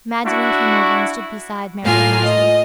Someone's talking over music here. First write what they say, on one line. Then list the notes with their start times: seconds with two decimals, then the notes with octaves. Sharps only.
Magdalen came over and stood beside Marian Lesley.
0.25 D4 E4 F#4
1.82 A2 A#3 F4 G#5 F6
2.23 D#5